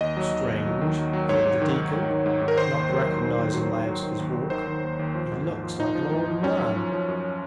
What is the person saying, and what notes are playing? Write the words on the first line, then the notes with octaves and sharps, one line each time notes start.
"Strange," thought the deacon, not recognising Laevsky's walk; "he looks like an old man. . . ."
D#2 D#5
F#3
D#2
D#2
F#3
D#3
F#3
F#3
G#2 C#5
G#2
D#3
G#2
G#2
D#3
G#2
G#2
A#4
D#3 C5
D#2
F#3
F#3
D#3
D#3
F#3
D#3
F#3
D#3
D#2
D#2
D#3 C5
D#3
D#2
D#2
F3
G#2
G#2
F3
F3 D#4
F3
G#2
F3
F#2 C#4
F#2
F3
F3
F#2